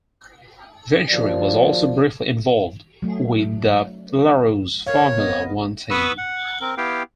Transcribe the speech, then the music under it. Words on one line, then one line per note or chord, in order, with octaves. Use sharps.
Venturi was also briefly involved with the Larrousse Formula One team.
D#2 D#3 F3 F#4 D5
F#3 A3
A#4 C#5 F5
B3 D#5
B3 B4 B5 C#6 D#6 E6
F#5
C4 A#4
B3 E4 G4 F5 G5